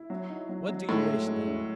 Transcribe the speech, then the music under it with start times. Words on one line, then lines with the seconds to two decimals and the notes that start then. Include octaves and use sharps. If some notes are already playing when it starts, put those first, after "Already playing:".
"What do you wish, then?"
Already playing: E4
0.10 F#3
0.30 D#4
0.49 F#3
0.69 F#3
0.88 A2 G#3
1.08 E4
1.27 G#3
1.47 C#4